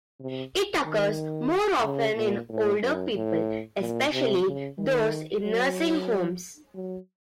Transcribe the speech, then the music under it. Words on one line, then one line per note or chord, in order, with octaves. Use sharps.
It occurs more often in older people, especially those in nursing homes.
C3
D#3
C#3
A#2
A2
F#2
A2
A#2
C3
C#3
D#3
F#3
F#3